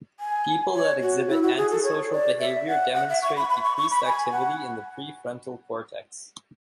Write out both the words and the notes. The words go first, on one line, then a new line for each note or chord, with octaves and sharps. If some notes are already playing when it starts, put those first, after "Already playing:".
People that exhibit antisocial behavior demonstrate decreased activity in the prefrontal cortex.
G#5
C#5
F#4
E4
F#4
G#4
A4
C#5
D5
E5
F#5
F#5
E5
C#6
B5
B5
C#6
C#6
B5
G#5
F#5